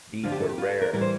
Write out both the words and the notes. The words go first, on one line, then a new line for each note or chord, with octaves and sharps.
These are rare.
D2 D3 F3 F4
G4
A4
G4
F4
A4
A#4
A2 E3 G3 A#4
C5